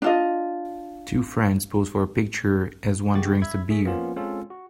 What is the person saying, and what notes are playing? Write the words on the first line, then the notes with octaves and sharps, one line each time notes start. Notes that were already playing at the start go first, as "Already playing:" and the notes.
Two friends pose for a picture as one drinks a beer.
D4 F4 D#5
E2 C#3 G#3 F#4 G4 A6
E5 B5 G#6
A3 G#4 B6
F3 A#3 B3 C#4 F4
G#3 C4 C#4 F4 A4
F#4